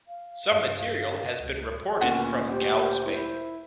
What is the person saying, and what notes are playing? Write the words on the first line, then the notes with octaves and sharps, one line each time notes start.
Some material has been reported from Galve, Spain.
F5
G2
C#2
D2 A#2 B3 C#4 F#5
G4 C5
E4